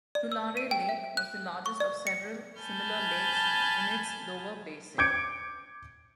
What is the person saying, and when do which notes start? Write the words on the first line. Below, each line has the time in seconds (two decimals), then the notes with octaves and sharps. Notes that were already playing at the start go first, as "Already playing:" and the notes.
Tulare Lake was the largest of several similar lakes in its lower basin.
0.15 D5
0.32 E6
0.57 D#7
0.71 G5
0.89 E5
1.17 F#6
1.66 C#6
1.80 D5
2.07 C#7
2.60 G#5 A5 B5 F6 G6
4.98 D6 G6 G#6 C#7 D7